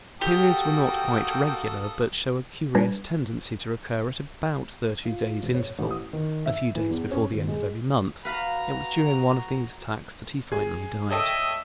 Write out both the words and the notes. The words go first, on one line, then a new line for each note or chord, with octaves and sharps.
The periods were not quite regular, but show a curious tendency to recur at about thirty days' interval, a few days before the end of every month; it was during one of these attacks that he finally died.
A#3 F#4 G4 A4 G5 D#6
G3 D4 B4 G#5 G#6 A#6
F4
E1
C#5
A1
D#6
D#3
E5
E3
E2
C#4
D#1
G#3
F#4 B4 F5 A#5 B5
G#4
A4 C#5 D#5 E5 G5